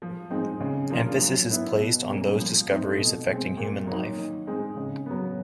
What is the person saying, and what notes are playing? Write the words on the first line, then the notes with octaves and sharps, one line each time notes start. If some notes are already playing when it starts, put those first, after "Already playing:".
Emphasis is placed on those discoveries affecting human life.
F3
G#3 C4 D#4
C#3
F3 A#3 D4 F4
F#3
B3 E4
B2
G3 A#3 C#4
F3
A3 C4 D#4
B2
G#3 C4
A#2
F#3 A#3 D#4
D#3
G#3 C4 D#4
C#3
F#3 B3